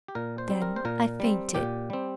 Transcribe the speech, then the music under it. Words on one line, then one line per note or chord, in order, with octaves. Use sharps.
Then I fainted.
G4
A#2 A#4
C5
G3 C4
A#4
C5
A#2 A#4
G3 C4
A#2 G4
G3 C4